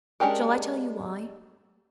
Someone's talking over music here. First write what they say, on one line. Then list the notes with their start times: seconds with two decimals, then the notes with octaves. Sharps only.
Shall I tell you why?
0.20 G#3 C#4 D4 G4 A#4